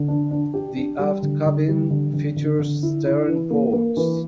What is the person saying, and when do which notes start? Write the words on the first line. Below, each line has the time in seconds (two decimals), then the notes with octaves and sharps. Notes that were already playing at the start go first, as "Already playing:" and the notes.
The aft cabin features stern ports.
Already playing: D3
0.08 D4
0.31 D4
0.54 G4
0.76 D4
0.99 G3
1.23 D3
1.46 D3
1.68 G3
1.90 D3
2.13 D3
2.36 D3
2.60 D3
2.83 E4
3.05 E4
3.28 E3
3.51 A#3
3.73 A#3
3.97 E3